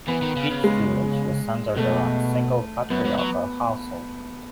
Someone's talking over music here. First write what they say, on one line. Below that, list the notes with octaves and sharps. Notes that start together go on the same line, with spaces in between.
Each village was centered around a single patriarchal household.
E3 B3
D#3
C#3
C#3
G#3
B2 A3
F#2 B3
G#2
F#3